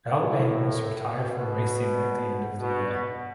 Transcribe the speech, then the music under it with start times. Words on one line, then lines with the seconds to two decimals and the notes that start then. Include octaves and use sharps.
Al Ain was retired from racing at the end of the year.
0.20 A2
1.15 B2
2.58 B2